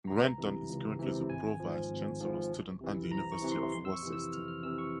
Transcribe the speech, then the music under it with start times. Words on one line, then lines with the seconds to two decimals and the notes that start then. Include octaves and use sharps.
Renton is currently the Pro Vice Chancellor Students at the University of Worcester.
0.07 C#2 A#5
0.38 C3 E3
0.68 C#2
0.99 C3 E3
1.29 G#1 G#5
1.60 G#2 F3
1.90 G#1
2.20 G#2 F3
2.50 C2
2.81 C3 E3
3.11 C2 A#5
3.32 C#6
3.42 C3 E3
3.52 C6
3.72 F2 C6
3.85 E6
3.93 C#6
4.02 C3 E3
4.13 E6
4.33 F2 F6
4.48 F6
4.63 C3 E3 E6
4.78 C#6